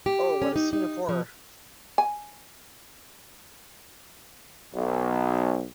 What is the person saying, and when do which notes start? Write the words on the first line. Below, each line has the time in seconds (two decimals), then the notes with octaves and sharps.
Oh, what a scene of horror!
0.06 G4
0.42 C#4
0.56 D#4
0.73 D#4
1.09 F3
1.98 G#5
4.73 B1